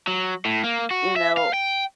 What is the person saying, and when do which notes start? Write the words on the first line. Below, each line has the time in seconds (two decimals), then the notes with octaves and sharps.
you know
0.08 F#3
0.45 A2
0.64 A#3
0.91 F#4
1.16 E5
1.37 F5
1.53 G5